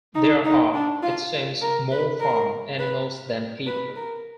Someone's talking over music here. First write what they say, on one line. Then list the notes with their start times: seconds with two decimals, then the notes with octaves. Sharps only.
There are, it seems, more farm animals than people.
0.15 D#4
0.45 D#4
0.73 D4
1.03 F4
1.61 A#4
1.91 B4
2.20 A#4
2.79 B4
3.67 B4
3.96 A#4